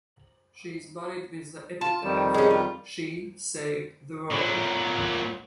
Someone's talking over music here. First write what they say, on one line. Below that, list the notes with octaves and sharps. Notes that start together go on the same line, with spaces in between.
She is buried with the epitaph, She saved the world.
F4 A5
F2 D#3 G3
G#3 C#4
F4
A#2 F#3